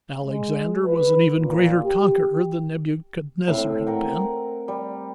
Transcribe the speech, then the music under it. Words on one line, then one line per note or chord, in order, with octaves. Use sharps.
Alexander was an even greater conqueror than Nebuchadnezzar had been.
G#3
B4
A#2
G4
A2 C4
A#4 F#5 G5
G3